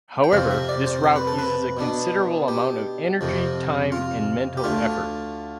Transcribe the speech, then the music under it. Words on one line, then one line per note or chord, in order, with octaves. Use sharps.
However, this route uses a considerable amount of energy, time, and mental effort.
G5
F2 C3 F3 C4 F5
E5
D5
C5
C5
B4
A4
B4
B2 B3 D4
G4
F2 C3 F3
F4
G4
D2 D3 A3 F4